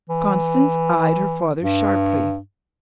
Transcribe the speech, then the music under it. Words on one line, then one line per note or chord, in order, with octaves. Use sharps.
Constance eyed her father sharply.
E3
G2